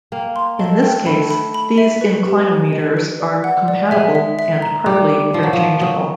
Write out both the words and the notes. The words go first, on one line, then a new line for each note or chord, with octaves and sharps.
In this case, these inclinometers are compatible and partly interchangeable.
A#3 G5
C6
A3 D#5
G5
A3 B5
B5
B5
E5
B4
G4
G#5
D#5
B4
D5
F#5
D5
G#3 E5
E5
E5
A#5
G3 D6
D6
F3 F5
F#3
F3 F5
F#3 D#6